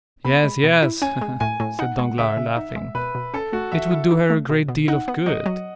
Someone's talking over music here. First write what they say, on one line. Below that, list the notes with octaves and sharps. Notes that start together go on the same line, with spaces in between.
"Yes, yes," said Danglars, laughing, "it would do her a great deal of good."
B3 B5
G#3
B2
E4
C#4 G#5
G#3
A2 G#5
A2
D#4 F#5
G#3
C#3 E5
C#3
D#4
G#3
B2 B4
B2
C#4 A4
A3 F#4
E3 E5
E4
D#4
A3
B2
B2
D#4 F#5
B3
F#3 D#5
F#3